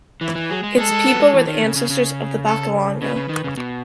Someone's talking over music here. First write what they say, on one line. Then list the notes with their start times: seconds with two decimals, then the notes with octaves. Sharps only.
Its people were ancestors of the Bakalanga.
0.21 E3 E4
0.35 E3
0.50 F#3 G#4
0.63 G#3
0.77 G#3 A4
0.91 G#3
1.06 B3
1.15 F#3
1.19 G#3
1.33 E3
1.47 D#3
1.62 C#3
1.76 C#3
1.90 C#3
2.46 A4
3.02 C#3 B4
3.16 C#3
3.29 D#3
3.44 C#3
3.57 B2